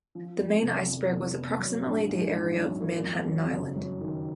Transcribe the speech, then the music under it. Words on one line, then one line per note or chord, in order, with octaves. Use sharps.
The main iceberg was approximately the area of Manhattan Island.
F3
F2
F1
F2
F1
B3
F#3
A#1
G#2
G#2
F#3
A#3
F2
F#3
F#1
F#3
D#3